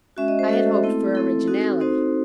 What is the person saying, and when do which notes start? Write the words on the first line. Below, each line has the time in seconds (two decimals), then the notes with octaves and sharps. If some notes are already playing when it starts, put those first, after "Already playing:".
I had hoped for originality.
0.17 G#3 C#4 F#4 E5
0.28 D#5
0.39 C5
0.49 G#3 C#4 F#4 A4
0.83 A3 C4 E4
1.15 A3 C4 E4 A4
1.47 C4 D#4 F#4
1.80 C4 D#4 F#4 C5